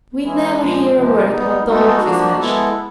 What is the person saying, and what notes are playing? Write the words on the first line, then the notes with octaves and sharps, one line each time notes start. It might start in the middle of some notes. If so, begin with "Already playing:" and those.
We never hear a word but Dolokhov is mentioned.
E3 G#3 C#4 E4 G#4
A#2 F3 G#3
C3 F3 G#3
G3 B3 D#4
G#3 B3 D#4 F#4 A4
F3 A#3 D4 F#4
G#3 B3 E4 A4